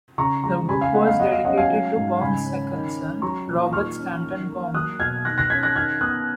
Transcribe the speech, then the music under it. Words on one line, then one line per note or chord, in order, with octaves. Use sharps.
The book was dedicated to Baum's second son, Robert Stanton Baum.
C#3 A#5 C#6
G#3 A#5 C#6
C#3 G#5 B5
F5 G#5
B3 D#5 F#5
F5
F#3 D#5 F#5
F5
C#4 D#5 F#5
F5 G#5
F#3
G#2
C#3 G#5 B5
C#4
D#3
C#4
F#3 A#5 C#6
A#2
D#3 C#6 F6
C#4
D#3
A#3
F#3 D#6 F#6
B2 F6 G#6
D#3 F#6 A#6
F#6 A#6
C#4 G#6 B6
F#6 A#6
D#3 F6 G#6
B3 D#6 F#6